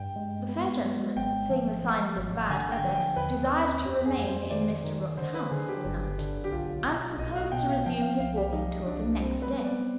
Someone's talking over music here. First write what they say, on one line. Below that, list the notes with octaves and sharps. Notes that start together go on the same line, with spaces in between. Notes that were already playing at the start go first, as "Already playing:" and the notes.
The fair gentleman, seeing the signs of bad weather, desired to remain in Mr. Rook's house for the night, and proposed to resume his walking tour the next day.
Already playing: G2 G5
G#3
B3
G#3
G#1 G5
F3
F3
G#1
D3 G#5
G5
F3
G5
D#2 B4
C4
F2 G4
G#4
F2
C5
D#3 D5
D#3
D3 C5
B4
D3 G#4
G4
G1
D3
G4
B1 F4
B1
B1 D#5
F5
B2 G5
F5
F3 G5
F5
C2 F5
G4
F3 D#4
C2 D4
G3 C4
B4
B3
D5